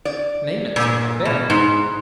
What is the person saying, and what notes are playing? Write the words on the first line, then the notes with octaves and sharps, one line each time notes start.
"Name it, sir, I beg."
D5
A#2
B2
G#2